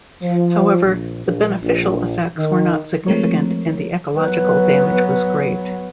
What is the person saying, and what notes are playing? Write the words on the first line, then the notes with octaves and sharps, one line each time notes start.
However, the beneficial effects were not significant and the ecological damage was great.
F3
A#1
A#1
A#1
D#3
F3 G#3 A3 C4 A#4 C#5
F#3 B3 B4